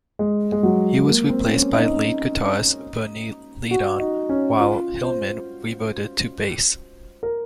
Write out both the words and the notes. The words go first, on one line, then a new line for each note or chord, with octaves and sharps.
He was replaced by lead guitarist Bernie Leadon, while Hillman reverted to bass.
G#3
G#3
F#3
A#3
C4
C#4
D#4
F#4
D#4
C#4
F4
C5
A#4